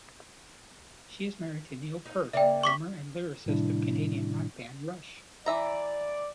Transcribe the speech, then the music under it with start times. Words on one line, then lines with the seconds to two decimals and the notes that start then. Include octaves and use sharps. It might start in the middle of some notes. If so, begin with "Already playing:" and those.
She is married to Neil Peart, drummer and lyricist of Canadian rock band Rush.
2.05 D#4
2.33 C#3 A#3 D5 E5 G5
2.63 C#6 D6 B6
3.46 A2 C3 D#3 G3 D4 E4
5.46 E3 D5 E5 A#5